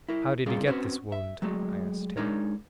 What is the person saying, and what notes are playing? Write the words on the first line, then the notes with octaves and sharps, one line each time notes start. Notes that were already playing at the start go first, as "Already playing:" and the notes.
"How did he get this wound?" I asked him.
E4 A#4
C3 G3 C#4 F4 G#4 A#4
C4 C#4 F#4 B4 C5
E5
F#3 G#3 A3
G#3 D4 D#4 A#4 C#5